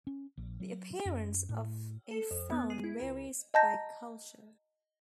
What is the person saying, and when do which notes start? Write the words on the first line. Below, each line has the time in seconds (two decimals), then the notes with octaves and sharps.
The appearance of a frown varies by culture.
0.07 C#4
0.37 A#1
0.60 F#3
1.05 F#2
1.49 A2
2.11 A4
2.31 F2
2.52 B3
2.70 G#4
2.84 E4
3.02 C#2
3.54 D#5 F#5 A5 A#5 G6 A#6